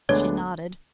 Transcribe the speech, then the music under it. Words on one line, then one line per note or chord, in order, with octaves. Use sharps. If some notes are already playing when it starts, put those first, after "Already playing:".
She nodded.
D2 D3 G#3 B3 D4 C#5